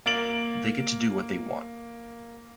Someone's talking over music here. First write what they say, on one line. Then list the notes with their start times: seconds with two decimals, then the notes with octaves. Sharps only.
They get to do what they want.
0.06 A#3 A6 D7 F#7